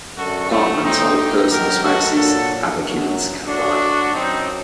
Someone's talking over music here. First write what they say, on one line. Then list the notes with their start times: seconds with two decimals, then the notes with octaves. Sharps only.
Apartments are the personal spaces Avakins can buy.
0.17 F#2 D3 F#3 F#4 A4
0.50 A3 C4
0.83 A2 F#3 C4 D#4
1.16 D#4 G4
1.49 F#2 D#3 F#3 G4 A#4
1.82 F#4 A4
2.15 A#2 F#3 F#4 A4
2.81 F#2 F#3
3.47 A2 F#3 D4 F#4
4.13 F#2 F#3 C4 D#4